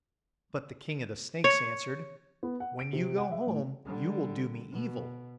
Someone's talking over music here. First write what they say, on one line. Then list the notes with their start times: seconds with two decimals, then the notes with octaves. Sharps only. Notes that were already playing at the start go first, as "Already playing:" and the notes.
But the King of the Snakes answered, 'When you go home, you will do me evil!'
1.44 C#5
2.43 B3
2.60 F#5
2.79 D7
2.93 C3
3.18 F#5
3.32 E5
3.47 A2
3.86 D3 G3
4.72 B2